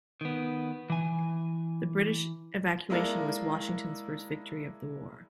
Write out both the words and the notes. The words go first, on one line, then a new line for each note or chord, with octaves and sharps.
The British evacuation was Washington's first victory of the war.
D#3 B3
E3 G#5
G#3 A#3 E4 A4 A#4 D5